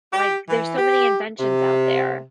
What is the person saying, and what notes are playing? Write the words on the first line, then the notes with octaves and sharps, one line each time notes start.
Like, there's so many inventions out there.
G4
E3
G4
C3